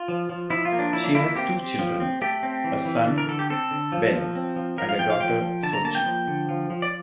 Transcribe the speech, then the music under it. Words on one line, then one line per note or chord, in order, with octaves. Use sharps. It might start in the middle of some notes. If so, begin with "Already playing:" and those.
She has two children: a son, Ben, and a daughter, Sochi.
Already playing: F4
F3
F3
F3 E4
F4
A#3
D4
F3 E4
D4
A#3 E4
C4 G4
C4
F3
C4
A3 G4
C4
E3
E3
D3
A#4
D3 A4
G4
C4 A4
D3
F3
F3
C4
F3
F3 A#4
F5
F3 G5
F5
F3 G5
F3
D3 A5
A#5
A#3 A5
G5
F3
D3
F3
F3
D5